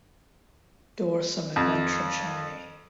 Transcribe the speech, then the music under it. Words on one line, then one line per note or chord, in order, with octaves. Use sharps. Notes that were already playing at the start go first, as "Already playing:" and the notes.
Dorsum and ventrum shiny.
F2